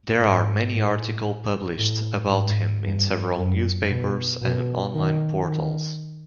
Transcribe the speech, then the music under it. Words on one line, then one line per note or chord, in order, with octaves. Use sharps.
There are many article published about him in several newspapers and online portals.
G#2
A2
A2
G#2
G2
F#2
B2
B2
D#3
D#3